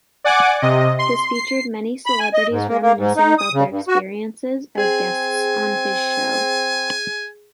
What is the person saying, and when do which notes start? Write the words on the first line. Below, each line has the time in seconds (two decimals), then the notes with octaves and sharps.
This featured many celebrities reminiscing about their experiences as guests on his show.
0.24 D5 F#5 G#5 D6
0.62 C3 D#5
0.99 C6
1.34 C7
2.06 B5
2.20 G#5
2.34 D#5
2.50 G#2
2.68 A#3
2.82 A#3
2.98 G#2
3.16 D#4
3.39 D#6
3.53 C#3
3.70 G2
3.88 F#4
4.78 C4 G#4 G#5